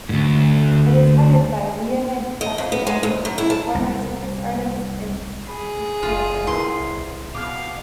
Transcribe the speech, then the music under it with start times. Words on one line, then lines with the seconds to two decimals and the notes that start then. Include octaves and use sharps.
It is headed by Leonid Kostyuk, a former circus artist and equilibrist.
0.09 D2 G#2
2.41 D#5
2.58 F2
2.72 B3
2.87 G#3
3.03 D2
3.25 F#2
3.38 E4
3.50 A5
3.75 C2
5.47 G#4 B5
6.03 F#1 F4
6.47 C2 E4 A#4 B4 C6
7.35 B2 F5 D6 F6